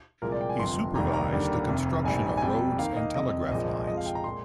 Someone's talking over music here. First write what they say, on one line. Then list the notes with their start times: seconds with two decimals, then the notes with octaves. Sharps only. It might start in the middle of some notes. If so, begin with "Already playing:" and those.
He supervised the construction of roads and telegraph lines.
0.22 C2 A#2 F3 G#3 A#4
0.32 D5
0.41 G5
0.49 G#5
0.59 G1 F2 C3 F3 C6
0.95 F1 D#2 D#3 G3 A#3 A#5
1.14 A#5
1.32 D#2 D3 G3 A#3
1.69 F1 F2 C3
2.05 A#1 G#2 G3 A#3 G#5
2.37 G#5
2.42 F2 C3 G3 G5
2.78 D#2 D#3 A#3 F5
2.96 D#5
3.15 F2 C3 G3 D#5
3.51 A#1 A#2 F3 G#3 D#5
3.87 F2 C3 F3 G#3 D#5
3.97 F5
4.06 G5
4.15 A#5
4.24 A#2 G#3 C6